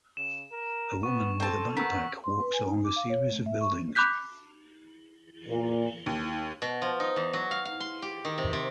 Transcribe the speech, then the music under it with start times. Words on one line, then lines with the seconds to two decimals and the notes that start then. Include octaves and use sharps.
A woman with a backpack walks along a series of buildings.
0.17 C#3 E7
0.52 A#4
1.03 B3 C#6
1.40 C4 A4 A5
1.77 D#3 B3 E6 B6
2.24 C6
2.40 B4
2.53 G#5
2.68 D#4
2.84 D6
2.96 F5
3.10 C#5
3.30 A3
3.46 E5
3.61 C#6
3.95 B5 D6 F#6 G6 B6
5.47 A#2
6.06 D#2
6.62 B2
6.82 F3
7.00 D#4
7.16 E2
7.33 F#3
7.51 F5
7.65 F5
7.80 C6
8.02 G4
8.25 D#3
8.38 C3
8.53 C3